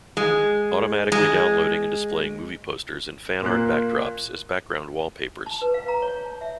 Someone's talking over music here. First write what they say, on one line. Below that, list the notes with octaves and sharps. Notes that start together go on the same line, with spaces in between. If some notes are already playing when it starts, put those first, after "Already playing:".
Automatically downloading and displaying movie posters and fan art backdrops as background wallpapers.
G#3
G#3
A#2 A#3 A#4 F#6
A5
B4
F5
A#5
C#5
A5
E5